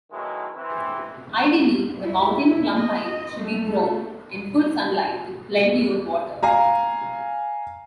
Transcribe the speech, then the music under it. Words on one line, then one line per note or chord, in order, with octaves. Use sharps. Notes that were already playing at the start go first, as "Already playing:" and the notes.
Ideally the mountain plum-pine should be grown in full sunlight with plenty of water.
B2 D#3 F#3 G#3 A3 E4
E3 C4 E4
E4
D#5
A3
F5 G#5 A#5